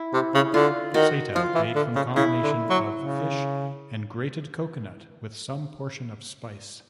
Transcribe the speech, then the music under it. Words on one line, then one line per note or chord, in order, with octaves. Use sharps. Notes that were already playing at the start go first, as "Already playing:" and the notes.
Sata made from combination of fish and grated coconut, with some portion of spice.
Already playing: E4
C3
C#3
D3 F4
D#3 F#4
F3 F4
E3
D3
C#3
C#3 E4
D3
F#3
C#3